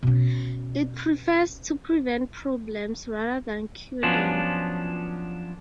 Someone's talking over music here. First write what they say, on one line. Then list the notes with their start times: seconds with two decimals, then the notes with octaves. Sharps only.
It prefers to prevent problems rather than cure them.
0.03 B2 C#4
4.03 F3 F#3 B3 C#4 D4 F4